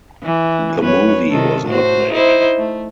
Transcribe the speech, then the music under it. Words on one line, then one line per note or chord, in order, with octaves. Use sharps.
The movie was not made.
E3
F#2 B4 C#5
C3 D#3 A4
A2 F#4 C5
D#4 E4 C5
A3